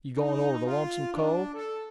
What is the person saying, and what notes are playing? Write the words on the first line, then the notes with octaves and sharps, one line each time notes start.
"You goin' over to Lonesome Cove?"
D#4
F4
D4
A4